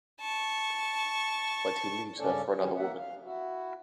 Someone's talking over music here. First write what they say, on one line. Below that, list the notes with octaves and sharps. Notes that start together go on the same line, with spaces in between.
But he leaves her for another woman.
A5 C#6
G2 C#3 C#4 A4 D5
E2 G2 D3 F#3 G3 C#4
E2 A#3 E5 F#5
F5
E4 F#4